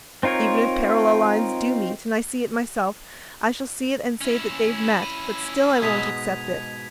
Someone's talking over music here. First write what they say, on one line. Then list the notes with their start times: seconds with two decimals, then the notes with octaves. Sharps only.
Even if parallel lines do meet and I see it myself, I shall see it and say that they've met, but still I won't accept it.
0.23 C4 D#4 F4 A#4 C#5
4.21 C#4 E4
5.03 D#7
5.82 G#2 B2 G#3 G#6 B6 F7